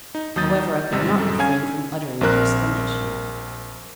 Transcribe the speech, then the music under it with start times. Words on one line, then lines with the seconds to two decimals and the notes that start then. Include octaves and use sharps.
However, I could not refrain from uttering an exclamation.
0.15 D#4
0.36 D#2 F#3 D#6 G6 A6
0.55 D#4
0.92 G#1 C3 G3 E6
1.18 F#2 A4
1.39 C#4 F5 G#5 G#6
2.21 A#1 C4 A#4 F#6